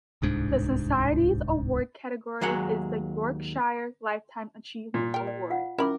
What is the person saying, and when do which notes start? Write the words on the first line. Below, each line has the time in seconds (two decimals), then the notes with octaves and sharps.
The Society's award category is the Yorkshire Lifetime Achievement Award.
0.22 D1 C2 G#2 D4
2.41 D#2 F#3 G#3 F#5
4.94 A#2
5.14 A#4 G5
5.27 D5
5.50 F4 F5 F#5
5.78 C#4 E4 A#4 B5 D6